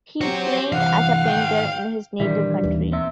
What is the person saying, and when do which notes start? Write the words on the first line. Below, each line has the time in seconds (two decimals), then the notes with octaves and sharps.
He trained as a painter in his native country.
0.21 C4 F#4 G4 C5 C#5
0.72 C2 E3 F5 F#5
1.26 D#3 G#3 G5
2.20 G2 A#2 D#3 E3 G3 E5
2.64 D#2 A#2 E3
2.92 C4 E5